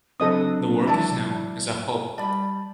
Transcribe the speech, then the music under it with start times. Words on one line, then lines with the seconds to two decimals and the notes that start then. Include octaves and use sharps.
The work is known as "Akhob".
0.20 C#3 F#3 C4 D4 A4 D#5 D#6
0.87 E3 F#3 G#3 E4 D5 A5
2.18 G3 D5 A5 B5